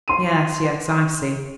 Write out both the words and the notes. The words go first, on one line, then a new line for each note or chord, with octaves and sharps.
Yes, yes; I see.
C6 D#7